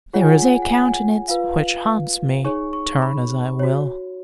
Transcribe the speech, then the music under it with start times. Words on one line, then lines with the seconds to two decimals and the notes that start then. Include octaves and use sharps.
There is a countenance which haunts me, turn as I will.
0.13 F4 G#4 C#5 F#5
0.21 G#5
0.29 F#5
0.37 G#5
0.45 F#5
0.54 G#5
0.62 F#5
0.69 G#5
0.78 F#5
0.85 G#5
0.94 F#5
1.28 F4 B4 F5
2.45 D#4 G#4 C#5 C#6
2.73 C#6
3.02 B5
3.59 F#4 C#5